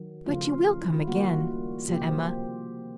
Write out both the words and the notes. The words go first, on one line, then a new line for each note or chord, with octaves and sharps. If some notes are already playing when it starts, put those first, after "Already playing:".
"But you will come again," said Emma.
Already playing: D#3 F#3
C#3 F3 A3 F4
E4
F4
D#3 G3 A#3 F#4
C3 F3 A#3 G4
C5